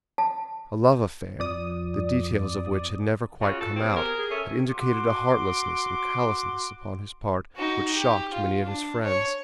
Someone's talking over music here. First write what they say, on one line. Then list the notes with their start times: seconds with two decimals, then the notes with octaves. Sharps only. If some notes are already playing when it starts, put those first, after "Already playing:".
A love-affair, the details of which had never quite come out, had indicated a heartlessness and callousness upon his part which shocked many of his friends.
0.18 A5
1.39 F2 F3 D5 D#6
3.41 C#3 F4 F#4
3.60 A4
3.76 B3 C4 G4 G#4
3.96 A#4
4.18 G#4
4.31 C#4 A4 E5
4.68 F#4 C6 D6
7.56 D#4 F#4
7.94 G4
8.33 F4
8.65 D4
9.04 C#5